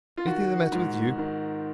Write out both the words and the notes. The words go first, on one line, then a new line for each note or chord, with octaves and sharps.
Anything the matter with you?'
F4
D#3 F#4
G#2
D#3